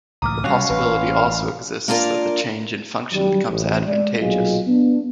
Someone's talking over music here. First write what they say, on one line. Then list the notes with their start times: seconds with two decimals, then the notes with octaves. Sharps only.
The possibility also exists that the change in function becomes advantageous.
0.22 C#2 A2 E3 A#5 D6 D#6 F6
0.44 C3 F#3 G3 C#4 F#4 F5 F#6
0.70 A1 B4
1.88 A#3 D4 F4 A#4 D5
3.12 F#2 D#3 F#3 G3
3.48 A1 D2
3.86 G#3 D5
4.19 B1 A#2 F#3 F4 G#4 D#5
4.67 B3 D4